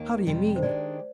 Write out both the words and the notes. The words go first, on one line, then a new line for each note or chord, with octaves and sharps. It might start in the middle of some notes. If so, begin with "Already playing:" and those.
"How do you mean?"
Already playing: D#2 D#3 A#3
F2 C3 G3 C4
C5
D#3 G#3 D4 G4 D5